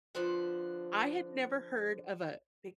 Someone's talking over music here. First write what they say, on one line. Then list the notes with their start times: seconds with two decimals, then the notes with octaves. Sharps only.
I had never heard of a big
0.15 D3 F3 B4 C5 F#5